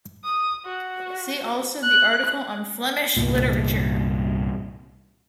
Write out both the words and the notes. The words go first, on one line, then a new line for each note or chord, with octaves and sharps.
See also the article on Flemish literature.
D#6
F#4
F#6
C2 G2 A#2